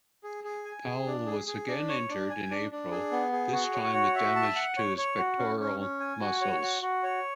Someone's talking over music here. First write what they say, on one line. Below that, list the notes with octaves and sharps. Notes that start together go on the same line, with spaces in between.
Powell was again injured in April, this time with damage to his pectoral muscles.
G#4
G#4
G#5
G#4
D4
G#4
G#4
D4
C#5
D4
G#5
D4
D4
G#4
B3
G#4
F#4
C#5
F#4
E5
A5
F#5
C#5
C#5
F#4
C#4
C#4
C#4
G#5
F#4
C#5
F#4
F#4
C#5